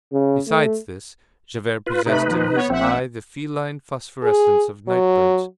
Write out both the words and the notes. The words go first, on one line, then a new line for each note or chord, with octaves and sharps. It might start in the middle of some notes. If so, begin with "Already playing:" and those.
Besides this, Javert possessed in his eye the feline phosphorescence of night birds.
C#3
A3
F4 B4
C3 A3 D#4 B4 B5
D#2 F3
B3 C#5
A#1 C4 E5 F#5
G#4
F#3